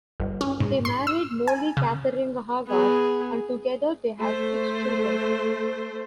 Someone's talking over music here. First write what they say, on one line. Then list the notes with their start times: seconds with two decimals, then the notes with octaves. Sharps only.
He married Mollie Cathering Haggard and together they had six children.
0.20 G1
0.41 C#4
0.60 G#2
0.85 C6
1.07 E6
1.48 G#5
1.77 C#3
2.67 B3 G#4
4.18 A3 C5